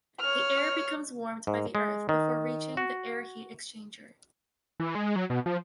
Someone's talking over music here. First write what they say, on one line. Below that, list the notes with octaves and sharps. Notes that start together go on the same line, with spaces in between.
The air becomes warmed by the earth before reaching the air heat exchanger.
C#5 F6
G#2
G#3
D#3
F#4
E3
G#3
F#3
B2
F3